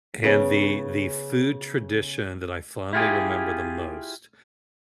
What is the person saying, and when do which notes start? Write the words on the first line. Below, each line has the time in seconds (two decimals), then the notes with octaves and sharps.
and the the food tradition that I fondly remember the most
0.24 C#3 B3 C#4 G#4
2.93 E4 F4 G4 G#4